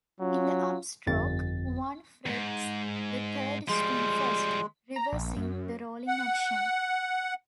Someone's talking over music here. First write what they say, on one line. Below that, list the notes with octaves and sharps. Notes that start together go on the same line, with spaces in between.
In the upstroke, one frets the third string first, reversing the rolling action.
F#3 C#4 F4
G1 F2 A6
E2 G#2
F3 G3 G#3
A#5
A#1
F#2
F#5